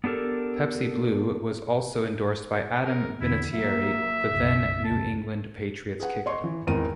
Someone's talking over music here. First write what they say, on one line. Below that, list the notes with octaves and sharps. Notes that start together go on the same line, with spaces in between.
Pepsi Blue was also endorsed by Adam Vinatieri, the then New England Patriots kicker.
B3 D4 G4 A4 A#4
A#4
E2 D3 E4
F#3 A#3 E5
F#1 B1
C#2 G2 A5
G#4 B4 F#5
C#5 D#5 C6 C#6
E3
G#1 E2 D#3 C4 A#4 D#7